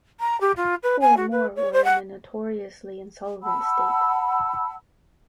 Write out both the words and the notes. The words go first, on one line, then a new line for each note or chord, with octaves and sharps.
Four more were in a notoriously insolvent state.
A#5
G4
F4
B4
G#5
F#4
B4
C#5
C5
F#5
F#5 A5 B5 E6